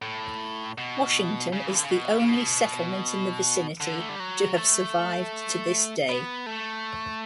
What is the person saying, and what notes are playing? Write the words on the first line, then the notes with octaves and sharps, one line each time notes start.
Washington is the only settlement in the vicinity to have survived to this day.
A2
B2
C#3
E3
D3
C#3
B2
C#3
B2
D3
A3
G3
F#3
A3
B3
A3